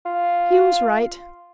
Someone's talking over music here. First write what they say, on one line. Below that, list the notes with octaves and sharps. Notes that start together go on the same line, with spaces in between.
He was right.
F4